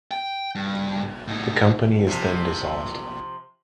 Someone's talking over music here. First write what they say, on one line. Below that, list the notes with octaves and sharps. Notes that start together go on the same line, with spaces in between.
The company is then dissolved.
G5
G2
A2 D#4
C3 F3